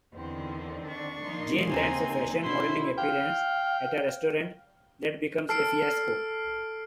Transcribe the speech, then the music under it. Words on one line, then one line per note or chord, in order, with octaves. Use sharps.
Jane lands a fashion modeling appearance at a restaurant that becomes a fiasco.
E2 D3 D#3 C4
D4 C#6
F3 A#3 D#4 C6
D#2 C#3 C4 D#4 G#5
B2 D3 F3 C#4 E4 C5 C6
F5 G5
A4 F6 C7 D7